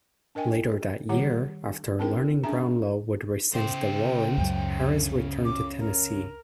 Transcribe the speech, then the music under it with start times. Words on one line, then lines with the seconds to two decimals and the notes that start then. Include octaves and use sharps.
Later that year, after learning Brownlow would rescind the warrant, Harris returned to Tennessee.
0.35 D4 A#4 D#5 G5 G#5
1.09 D#3 G3 G4 C#5 F#5
1.99 C4 D4 E4 A#4 G5
2.44 C#4 D4 G#4 E5 A#5
3.54 C#3 C5 G5
4.38 C#2 F#2 F#3
5.45 D6
5.79 A#4